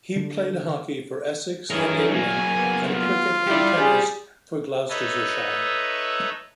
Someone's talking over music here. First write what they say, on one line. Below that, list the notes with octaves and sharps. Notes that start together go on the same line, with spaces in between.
He played hockey for Essex and England, and cricket and tennis for Gloucestershire.
D3
G2 E3 C#4 G#4 A#4
F#3 A#3 G#5
B3
F4
G3 E4 G4 D5
G#4
D#4 A4 B4 C#5 D#5 E5